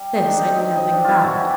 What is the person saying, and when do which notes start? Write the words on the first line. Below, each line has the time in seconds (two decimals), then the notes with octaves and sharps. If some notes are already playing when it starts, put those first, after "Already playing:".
This I knew nothing about.
Already playing: G3
0.15 D#3 D#4
0.28 D4
0.39 D#4
0.46 C4
0.77 C4 D#4
0.93 D4
1.04 C4 E4 F4
1.24 F#4
1.40 E3 G4